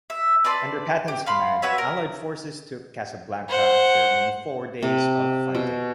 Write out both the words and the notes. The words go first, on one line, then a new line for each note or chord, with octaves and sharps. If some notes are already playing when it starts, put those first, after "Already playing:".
Under Patton's command, Allied forces took Casablanca after only four days of fighting.
E5
B4 D5 A5 C6
G4
F5 B5 C6
F#4 B4 C#5 E5
A#4
C5 F#5
C3
B2